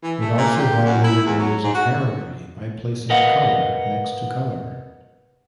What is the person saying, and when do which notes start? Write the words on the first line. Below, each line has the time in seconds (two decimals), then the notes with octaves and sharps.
It also violated rules of heraldry by placing colour next to colour.
0.03 E3
0.20 A3
0.38 A#2
0.58 G4
0.85 F#2
1.04 E4
1.25 E2
1.39 F#3
1.63 G#2
1.74 F#4
3.10 A#4 B4 D#5 F5 F#5